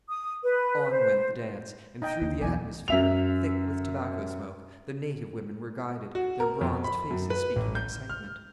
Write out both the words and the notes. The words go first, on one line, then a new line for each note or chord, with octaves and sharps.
On went the dance; and through the atmosphere--thick with tobacco-smoke--the native women were guided, their bronzed faces speaking excitement.
D#6
B4
C5
D#4 D#5 G5
D#2
B1 E2 D5 G#5
F#2 E5 F7
F#4
A#4
F2
B5
F#2
B4
A1
G6
F6